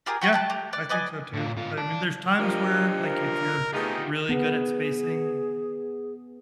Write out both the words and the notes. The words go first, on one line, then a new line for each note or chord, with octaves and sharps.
Yeah, I think so, too, I mean, there's times where, like, if you're really good at spacing
F4 G4 G#4 A#4
F#4 G5 C#6
G5 A5 F#6
G4
D5 F#6
B4 D5 D#5 G#5
A2 F4
G#2 F4
D5 A5
F3 D4 F4 G4 A#4 D#5
A#4
A3 B3 D#4 F4 G4 G#4
B3 G#4